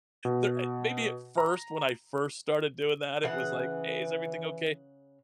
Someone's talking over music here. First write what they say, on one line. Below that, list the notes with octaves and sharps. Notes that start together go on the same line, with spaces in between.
they're, eh, maybe at first when I first started doing that it was like, "Hey, is everything okay?"
B2
A#5
C#3 E3 F#5